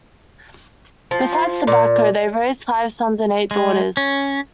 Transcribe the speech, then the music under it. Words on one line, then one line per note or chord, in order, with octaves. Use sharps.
Besides tobacco, they raised five sons and eight daughters.
F3
A#2
G#3
C#4